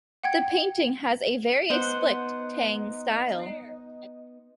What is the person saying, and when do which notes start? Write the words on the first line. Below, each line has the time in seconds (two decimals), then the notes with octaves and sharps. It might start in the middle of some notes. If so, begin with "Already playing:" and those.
The painting has a very explicit Tang style.
0.24 F#5 G5 G#6
1.70 B3 D#4 C5 F#5